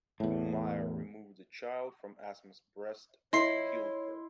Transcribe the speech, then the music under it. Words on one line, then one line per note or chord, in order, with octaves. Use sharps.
Umayr removed the child from Asma's breast and killed her.
E2 A2
E4 C#5 D#5 C6 C7